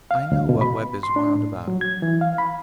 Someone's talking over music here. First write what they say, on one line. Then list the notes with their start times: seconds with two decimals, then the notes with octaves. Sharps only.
I know what web is wound about you.
0.11 F5
0.32 D2
0.49 B2
0.61 B5
1.03 C6
1.16 D4
1.35 A2
1.68 F#3
1.81 G#6
2.02 E3
2.21 F5
2.38 B5